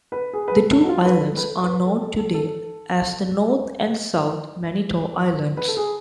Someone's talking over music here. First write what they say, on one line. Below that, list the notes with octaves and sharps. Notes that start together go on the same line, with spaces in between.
The two islands are known today as the North and South Manitou Islands.
B4
G#4
B4
A4
A4
F#4
F4
B4
A4
B4
A4
B4
A4
A4
A4
A4
B4
A4
G#4